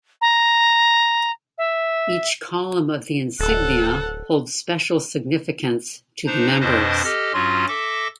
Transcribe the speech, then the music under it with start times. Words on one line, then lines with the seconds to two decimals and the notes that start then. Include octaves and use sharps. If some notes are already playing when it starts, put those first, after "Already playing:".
Each column of the insignia holds special significance to the members.
0.21 A#5
1.58 E5
3.39 D1 A4 F#5
6.26 D4 D#4 C5 A#5
6.60 F2 B2 D4 B4 C5 D#5
7.04 G4 A4 D#5 F6
7.33 G2 F#3 C#4 F4 F#4 C6
7.68 A4 E5 D6 A#6